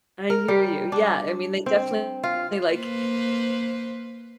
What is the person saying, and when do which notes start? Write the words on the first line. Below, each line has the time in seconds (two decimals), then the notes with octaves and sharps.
I hear you. Yeah, I mean, they definitely, like,
0.30 A#4
0.48 G3
0.92 D4
1.66 C4
2.23 F4
2.73 A#3 B4 C5